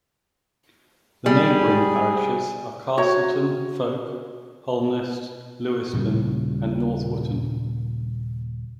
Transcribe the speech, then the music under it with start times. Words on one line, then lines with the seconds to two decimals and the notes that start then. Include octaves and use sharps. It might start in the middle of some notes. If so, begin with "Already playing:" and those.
The neighbouring parishes are Castleton, Folke, Holnest, Leweston, and North Wootton.
1.26 G3 G#4
2.97 F#4 C#5
5.93 D#1 A#2 C#3 G3